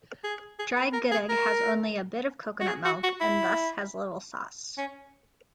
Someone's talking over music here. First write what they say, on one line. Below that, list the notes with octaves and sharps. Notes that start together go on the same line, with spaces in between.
Dry gudeg has only a bit of coconut milk and thus has little sauce.
G#4
G#4
B4
A#4
G#4
A#4
F#4
G#4
F#4
F#4
E4
C#4